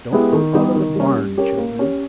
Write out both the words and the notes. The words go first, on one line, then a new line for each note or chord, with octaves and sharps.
'Don't go out of the barn, children.
G#3 B3 E4 G4
D#3
G3 B3 D#4 G4
D#3
G3 A#3 C#4
G3
C#4 G4 A#4 C#5
A#3
C#4 G4 C#5